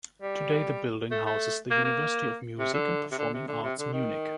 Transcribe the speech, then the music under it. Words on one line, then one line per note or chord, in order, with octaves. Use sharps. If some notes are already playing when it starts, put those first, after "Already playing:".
Today the building houses the University of Music and Performing Arts Munich.
G3
A3
A3
A#3
A#3
C3
D3
C3
D3
C3
D3
C3
D3
D#3